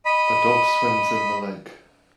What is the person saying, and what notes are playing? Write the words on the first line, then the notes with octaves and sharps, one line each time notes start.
A dog swims in the lake.
D#5 B5